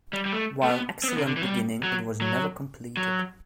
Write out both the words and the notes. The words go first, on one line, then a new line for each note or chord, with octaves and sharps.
While an excellent beginning, it was never completed.
G3
G3
A3
A3
B3
C4
B3
C3
D3
E3
F#3
G3
F#3
F#3
F#3